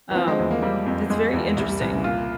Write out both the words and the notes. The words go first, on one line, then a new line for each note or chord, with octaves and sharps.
Um, it's very interesting.
E3
F3 C4
G#3
E2
A#3
G3 A#3
F2
G#3
E2
C2 G3
G3
C2 E3
C#3
A#2 F4